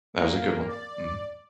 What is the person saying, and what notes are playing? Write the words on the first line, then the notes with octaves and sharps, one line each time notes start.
That was a good one. Mhm.
A#3
D5